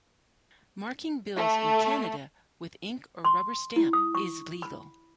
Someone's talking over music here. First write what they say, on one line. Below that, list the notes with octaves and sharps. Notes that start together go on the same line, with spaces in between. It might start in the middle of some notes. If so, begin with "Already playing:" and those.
Marking bills in Canada with ink or rubber stamp is legal.
A3
C6
E4
D#6
C#6
B5